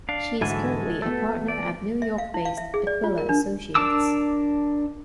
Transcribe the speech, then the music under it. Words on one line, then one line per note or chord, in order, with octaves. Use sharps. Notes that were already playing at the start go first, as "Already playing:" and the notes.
She is currently a partner at New York-based Aquila Associates.
D4 F5
G#2 D3 E3 G#3 F#4 A4 E5 G#5
A3 B3 A4 E5
E3
D5
E5
F5
E4
F5
E5
G#4
D5
F4
A#4
D4
D4 A#4 A5 D6 E6